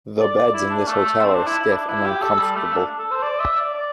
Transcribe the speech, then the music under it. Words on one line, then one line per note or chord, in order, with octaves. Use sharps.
The beds in this hotel are stiff and uncomfortable.
D5
D5
E4
D4
A3
A3
C4
D4
E4
E4
D4
E4
G4
A4
G3
A3
D4
A4
C5
D5
E5
D5
D5